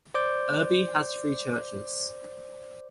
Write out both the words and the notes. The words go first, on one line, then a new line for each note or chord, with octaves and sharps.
Irby has three churches.
C5 D5 D6 G6